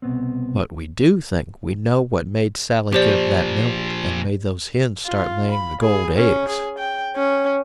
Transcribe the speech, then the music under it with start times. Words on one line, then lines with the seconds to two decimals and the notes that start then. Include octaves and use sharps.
"But we do think we know what made Sally give that milk and made those hens start laying the gold eggs."
0.02 C2 B2 B3 C4
2.93 A#2 F3 G4 C5 D5
5.05 F4
5.51 B5
5.81 G#4
6.16 C#4
6.49 G#4
6.78 G5
7.16 C#4